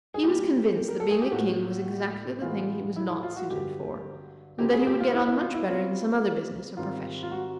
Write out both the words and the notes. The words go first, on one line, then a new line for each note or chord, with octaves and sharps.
He was convinced that being a King was exactly the thing he was not suited for, and that he would get on much better in some other business or profession.
G#4
B2 G3 A#3 G4
A#4
A4
G#4
G4
A2 F3 A#3 F#4
A2 E3 G#3 B3 F4
E4
E4
F4
F#4
G2 D3 F#3 G4
F#2 C#3 F3 A3 C4 G4
G#4
G4
F4
E4
E4
F4
E4
B2 G3 C4 F4
G#2 D#3 G3 C4 F4
F4
F#4